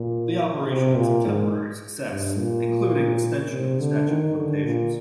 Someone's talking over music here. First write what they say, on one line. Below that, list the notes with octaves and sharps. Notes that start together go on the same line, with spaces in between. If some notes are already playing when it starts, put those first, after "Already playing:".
The operation had some temporary success, including extension of the statute of limitations.
Already playing: A#2
C3
A#2
G#2
G2
A#2
C3
D3
D#3
D3
A#2